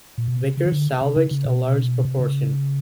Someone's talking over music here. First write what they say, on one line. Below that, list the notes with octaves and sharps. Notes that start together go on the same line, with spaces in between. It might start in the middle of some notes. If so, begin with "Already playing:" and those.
Vickers salvaged a large proportion.
A#2
B2
C#3
D#3
D3
C3
C#3
C#3
B2
C3
C#3